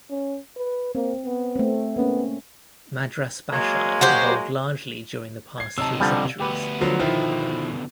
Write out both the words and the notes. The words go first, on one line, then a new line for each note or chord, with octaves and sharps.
Madras Bashai evolved largely during the past three centuries.
C#4
B4
A#3 C4
B3
A3 C4
A#3 B3 C#4
F#3 G#3 A#3
F#4 G4 C5
G#6 C7
C3 D#4 C#5 A5 E6
D3 F3 G3
D2 B3 G4 B4
D3 F3 F#3
B2 D3 D#3 F3 E4